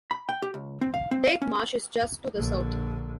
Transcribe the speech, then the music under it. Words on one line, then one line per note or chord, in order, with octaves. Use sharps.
Dyke Marsh is just to the south.
B5
G5
G4
C#2
C4
F5
C4
F5
C#4
A#1 D3